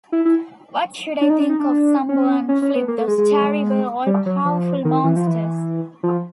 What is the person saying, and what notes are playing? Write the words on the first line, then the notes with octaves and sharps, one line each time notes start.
What should I think of Sambo and Flip, those terrible, all-powerful monsters?
E4
E4
D4
D#4
D4
D#4
D4
C#4
C#4
C#4
B3
A#3
A3
G#3
G#3
G3
F#3
F3
D#3
E3
F3
E3
F3